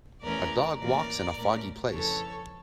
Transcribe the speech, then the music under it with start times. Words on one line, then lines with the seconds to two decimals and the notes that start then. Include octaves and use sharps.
A dog walks in a foggy place.
0.23 E2 E3 A3 C#4 A#4 D5
0.79 A2 E3 A#3 C#4 A#4 D5
1.36 A#2 A3 C#4
1.92 F2 C#3 E3 A4 C#5